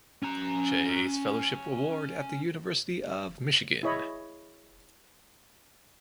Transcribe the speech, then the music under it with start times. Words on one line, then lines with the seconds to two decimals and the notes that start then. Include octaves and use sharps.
Chase Fellowship Award at the University of Michigan.
0.23 C#4 A#5
3.83 E4 G#4 C#5 D#5 B5